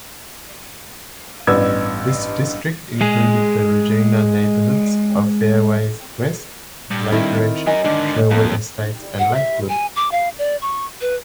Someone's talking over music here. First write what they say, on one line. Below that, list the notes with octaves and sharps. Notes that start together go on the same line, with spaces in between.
This district included the Regina neighbourhoods of Fairways West, Lakeridge, Sherwood Estates and Lakewood.
A1 G2 B3 D5 E6 G#6
G#3 G#4
G2
D#3 C4 E4
F#3 A#4 D#5 G#5
G#2 D3 D#3 D4
F2 A#3
F#5
E5
G#5
D6
F5
D5
C#6
B4